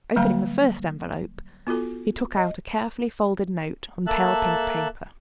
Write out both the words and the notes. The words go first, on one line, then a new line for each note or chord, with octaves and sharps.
Opening the first envelope, he took out a carefully folded note on pale pink paper.
D3 F#3 G3 A#3 F5 A#5
B3 F4 F#4 A4
D#5
A#3 A4 E5 A5 F#6